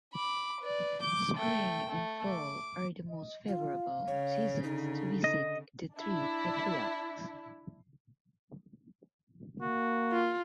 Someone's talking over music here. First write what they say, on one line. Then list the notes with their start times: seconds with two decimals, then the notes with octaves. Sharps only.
Spring and fall are the most favorable seasons to visit th Three Patriarchs.
0.14 B5 D6
0.61 B4 D5
1.02 D6 G6
1.38 A3 G5
1.90 A3
2.28 D6
3.09 D#5
3.48 F4 F5
4.07 C#3 C#5
4.63 D3 D#4
5.24 D#5
5.96 D4 E4
9.61 A#3 F#4
10.12 F4